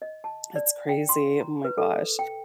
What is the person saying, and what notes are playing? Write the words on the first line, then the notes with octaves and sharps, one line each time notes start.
It's crazy. Oh my gosh.
D#5
A5
D5
G5
C6
A#5
B4
A4
G5